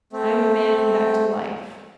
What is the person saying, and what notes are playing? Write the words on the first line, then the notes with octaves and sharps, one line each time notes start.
I am a man come back to life.
A3 C4